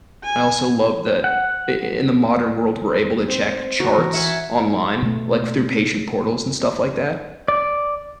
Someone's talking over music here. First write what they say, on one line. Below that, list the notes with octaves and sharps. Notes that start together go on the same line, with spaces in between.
I also love that in in the modern world, we're able to check charts online, like through patient portals and stuff like that.
G#5
F#5
C4 C5
F#4 A#4
E3 C#6
E5 F#5 G#5
B2 A3
D5